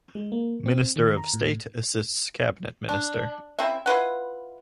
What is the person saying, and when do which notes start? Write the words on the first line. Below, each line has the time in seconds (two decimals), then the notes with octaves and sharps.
Minister of State assists cabinet minister.
0.15 G#3
0.32 A#3
0.66 C4
0.96 D#3
1.17 A#5
1.34 A2
2.89 D4
3.59 C#3 C4 E4 E5
3.86 E4 F4 B4 F#5